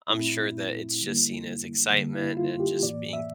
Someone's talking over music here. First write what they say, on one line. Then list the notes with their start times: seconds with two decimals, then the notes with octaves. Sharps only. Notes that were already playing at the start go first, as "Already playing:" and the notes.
I'm sure that it's just seen as excitement and just being
0.10 A#2 A3 C4 E4
1.01 D3 G3 A#3
1.92 D3 G3 A#3
2.14 E4
2.37 F4
2.60 G4
2.83 A2 E3 A#3 D5
3.13 E5